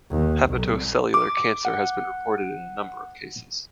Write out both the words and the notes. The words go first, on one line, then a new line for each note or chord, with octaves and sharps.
Hepatocellular cancer has been reported in a number of cases.
D#2
C2
D6
F#5